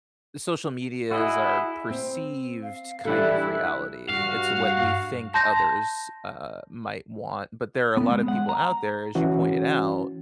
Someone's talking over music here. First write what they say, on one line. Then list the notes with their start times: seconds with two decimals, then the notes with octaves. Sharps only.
social media is our perceived kind of reality. It's what we think others, uh, might want, but there are a lot of people out there, as you pointed out,
1.11 E4 F#4 G#4 D#5
1.90 C4
2.62 F5
3.05 E3 G3 D4 E4 A4 F#6
3.42 F#6
4.10 G2 F#4 F5
5.34 A5 C6 G6 A#6
7.97 B3
8.11 G#3
8.28 F#5
8.49 A#5
9.15 E3 C#4 F#4